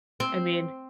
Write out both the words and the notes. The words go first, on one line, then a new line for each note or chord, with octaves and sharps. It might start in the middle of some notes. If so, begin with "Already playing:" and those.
I mean
C4